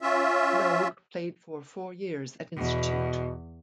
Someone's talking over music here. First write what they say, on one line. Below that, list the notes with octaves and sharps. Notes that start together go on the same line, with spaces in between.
Logue played for four years at Institute.
C#4 F4 E5
E2 B2